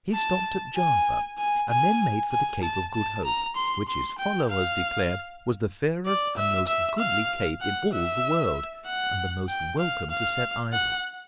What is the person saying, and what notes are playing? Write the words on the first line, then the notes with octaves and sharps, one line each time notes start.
He stopped at Java, and then made for the Cape of Good Hope--which his followers declared was the fairest and most goodly cape in all the world, and the most welcome to set eyes on.
A5
G#5
G#5
G#5
G#5
A5
A5
A#5
C6
C6
G5
F5
D5
E5
E5
F5
F#5
E5
F#5
G5
F5
F5
F#5